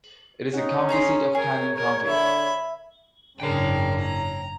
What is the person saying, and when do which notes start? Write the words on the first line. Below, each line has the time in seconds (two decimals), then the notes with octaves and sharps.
It is the county seat of Cannon County.
0.53 C#4 D#4 F#5
0.89 G#4 A#5 C6
1.35 G#4 A#4 C#5
1.77 A#4
2.07 D3 E5 B5
3.40 F#1 G#2 C#3 D4 A#4 C#5 G5
4.00 A#5